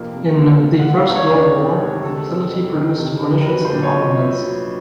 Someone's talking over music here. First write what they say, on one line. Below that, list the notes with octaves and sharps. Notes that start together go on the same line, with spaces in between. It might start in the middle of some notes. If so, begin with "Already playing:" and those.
In the First World War the facility produced munitions and armaments.
Already playing: F2 C3 F3 A#3
C3
A#3
C3
F#5
G#3
F5
E2
C#5
D#3 D5
C3
G#3
C3 A4
F2
F2
D#3
C3
F2
A#4
F#3 B4
C5
A#2
C#5
A#2 D#5
B3 E5
F#3